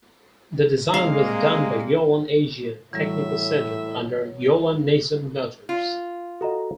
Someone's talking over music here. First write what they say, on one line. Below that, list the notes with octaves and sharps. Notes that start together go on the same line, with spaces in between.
The design was done by Yulon Asia Technical Center under Yulon-Nissan Motors.
C3 G3 G#3 A#3 F5
A2 E3 F#3 G3 E5
F4
F#4 A4 D#5 A#5